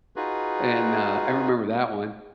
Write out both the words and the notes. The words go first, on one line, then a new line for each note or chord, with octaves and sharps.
and, uh, I remember that one,
D#4 F4 F#4 G#4 B4